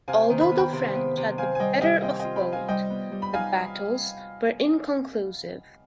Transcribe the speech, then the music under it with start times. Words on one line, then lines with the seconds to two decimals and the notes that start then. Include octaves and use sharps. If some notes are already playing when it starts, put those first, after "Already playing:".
Although the French had the better of both, the battles were inconclusive.
0.08 C3 F5 G#5
0.30 D#3
0.41 B5
0.51 B3
0.58 G5 B5
0.73 C3
0.95 B3
1.17 C3
1.38 C4 F5 G#5
1.55 G#5
1.60 G3 D#5 G5
1.82 G3 D#5 G5
2.03 C4 D#5 G5
2.20 F4 D#5 G5
2.36 G5 B5
2.46 F4
2.52 F5 G#5
2.68 G3 D#5 G5
2.90 B3
3.12 G3
3.22 B5
3.34 D#4 F5 G#5